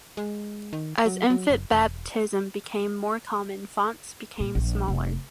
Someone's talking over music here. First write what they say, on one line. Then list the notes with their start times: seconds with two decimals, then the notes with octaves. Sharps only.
As infant baptism became more common, fonts became smaller.
0.17 G#3
0.73 D#3
1.06 F#3
1.30 F#3
1.50 F#1
1.72 E1
4.40 A#2
4.55 A#1
4.88 F1